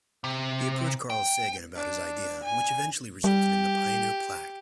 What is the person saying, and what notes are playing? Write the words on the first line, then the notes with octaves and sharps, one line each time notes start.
He approached Carl Sagan about his idea, which eventually resulted in the Pioneer plaque.
C3
G5
D4
G#5
G3 G4